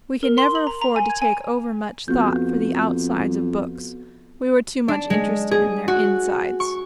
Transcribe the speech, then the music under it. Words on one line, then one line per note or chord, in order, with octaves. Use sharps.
We could never afford to take overmuch thought for the outsides of books; we were too much interested in their insides.
A#4
C6
F#7
A#5
A#5
G#5
G#6
G#5
F2 B3 F#4 G6
D4
G#3
G#4
F#4
C#6